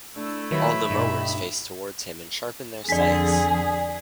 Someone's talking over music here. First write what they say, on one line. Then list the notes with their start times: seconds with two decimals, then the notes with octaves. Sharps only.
All the mowers face towards him and sharpen their scythes.
0.16 A3 D4 E4
0.51 D#3 F#3 B4 C#5 E5 B5
0.90 B1 G2 D5 D#5
2.89 F2 D3 G#4 D5 G#5 B6